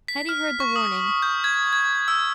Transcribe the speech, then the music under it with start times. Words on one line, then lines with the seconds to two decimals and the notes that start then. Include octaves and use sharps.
Hetty heard the warning.
0.08 B6
0.29 F6
0.60 C#6
0.76 D#6
1.22 G6
1.44 G#6
1.73 G#6
2.08 E6